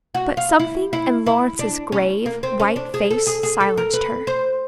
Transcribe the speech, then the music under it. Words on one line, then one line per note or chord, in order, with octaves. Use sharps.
But something in Lawrence's grave, white face silenced her.
F#4
F4
E4
E4
E4
D4
C#4
A#3
C4
C#4
D4
G#4
A4
G#4
G#4
A4
A#4
B4
C5